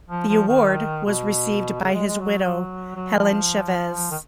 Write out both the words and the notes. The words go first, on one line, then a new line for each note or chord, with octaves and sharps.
The award was received by his widow, Helen Chavez.
F3
F3
D#3
B2
C#3
G#3
G#3
F#3
F#3
F3
D#3